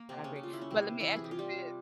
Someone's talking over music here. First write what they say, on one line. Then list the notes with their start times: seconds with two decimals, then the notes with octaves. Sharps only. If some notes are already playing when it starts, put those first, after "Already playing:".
I agree. But let me ask you this.
Already playing: A#3
0.09 C3 C4
0.24 C#3 C#4
0.36 G4
0.43 F4
0.53 E4
0.62 C#4
0.70 C3 C4
1.00 E3 E4
1.16 G#4
1.24 G4
1.31 F4
1.39 G3 G4